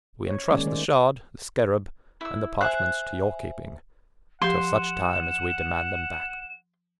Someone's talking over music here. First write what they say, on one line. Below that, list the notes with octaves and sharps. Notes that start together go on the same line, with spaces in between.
We entrust the sherd, the scarab, and the parchments to your keeping, till such time as we demand them back again.
C#5
D#3 G#3 A#3 C#4 D5
D#3 A3 C5 D5
E4 E6
C5 E5 G#5 F#6
F3 G4 F#5 C6 E7